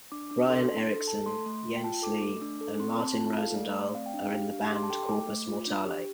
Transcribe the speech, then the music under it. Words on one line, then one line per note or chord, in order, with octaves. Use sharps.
Brian Eriksen, Jens Lee and Martin Rosendahl are in the band Corpus Mortale.
D4 D6
D4 D6
A4 C6
D4
A4
A4 A5
A3 C6
A3
F4
G5
F4 A5
A4 D6
A3 D6
D4 D6
A4
C4 C6
C4 A5
F4 A5
A4 F5
A3 D5
A3 D5
C4 F5
G5
D4
F5
G4
D4
D6
G4 C6
A5
A4 G5
A3 D6
A3
F4
D4
G4